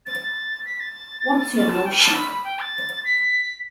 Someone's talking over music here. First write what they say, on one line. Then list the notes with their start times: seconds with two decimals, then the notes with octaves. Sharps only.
What's your notion?
0.06 A6
0.66 B6
0.80 A6
1.54 A6
1.70 A5
1.86 G5
1.99 A5
2.14 B5
2.30 B5
2.44 G5
2.60 A6
3.05 B6